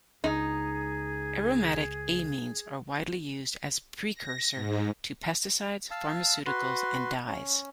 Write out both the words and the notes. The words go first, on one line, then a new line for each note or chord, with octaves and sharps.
Aromatic amines are widely used as precursor to pesticides, pharmaceuticals, and dyes.
C#2 D#4 G#4
A#6
G#2
F5 A5 E6
F#4 B4 C6
C#4